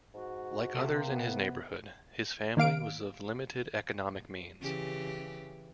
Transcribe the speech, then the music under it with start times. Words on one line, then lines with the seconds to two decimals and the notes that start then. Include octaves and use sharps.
Like others in his neighborhood, his family was of limited economic means.
0.14 G#2 F#4
0.75 C3 A3
0.96 A#3
1.08 B3
2.57 D#3 A#3 F5 D7
4.61 C#3 E3 G4